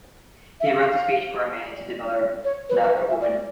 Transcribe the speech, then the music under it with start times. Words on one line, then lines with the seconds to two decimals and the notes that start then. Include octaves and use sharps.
He wrote the speech for a man to deliver, not a woman.
0.60 E5
0.66 F5
2.44 C#5
2.69 B4
2.83 B4
2.96 C5
3.08 E5
3.21 D5